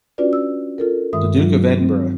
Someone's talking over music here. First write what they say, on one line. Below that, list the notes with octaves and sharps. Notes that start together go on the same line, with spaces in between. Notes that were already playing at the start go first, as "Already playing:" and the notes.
The Duke of Edinburgh.
C#4 D4 F4 F#4 B4 D5
E6
F4 A4 A#4
G2 D#3 G#3 E5 D#6
F#3 D4 D#4 F4
C4